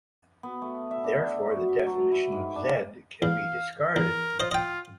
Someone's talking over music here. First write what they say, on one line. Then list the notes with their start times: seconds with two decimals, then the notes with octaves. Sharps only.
Therefore, the definition of Z can be discarded.
0.43 B3
0.62 A3
0.91 E5
1.04 D4
1.50 F#4
1.68 E5
1.87 F#3
2.12 E4
2.32 G#2
2.56 D4
3.22 E2 F5
3.96 E2 A#4
4.40 F4 C5 D#5
4.51 F4 D#5 G5